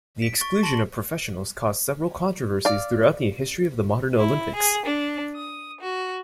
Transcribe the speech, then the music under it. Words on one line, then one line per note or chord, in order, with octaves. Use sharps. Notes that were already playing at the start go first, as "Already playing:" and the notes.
The exclusion of professionals caused several controversies throughout the history of the modern Olympics.
B6 D7
C#6 A6
A5 C6 A#6 F#7 G7
D5 F5
E4
G#4
D4
D#6
F#4